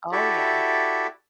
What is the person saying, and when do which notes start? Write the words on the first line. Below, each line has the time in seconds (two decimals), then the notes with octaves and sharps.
Oh, yeah.
0.12 E4 F#4 G4 A4 D5 E5